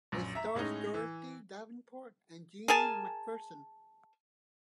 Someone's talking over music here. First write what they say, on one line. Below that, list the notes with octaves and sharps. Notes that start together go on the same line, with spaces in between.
It stars Dorothy Davenport and Jeanie Macpherson.
A#1 F#2
E5 A#5
A2 G#3 C#4 D#4
E3
G#4 A#4 G#5 A5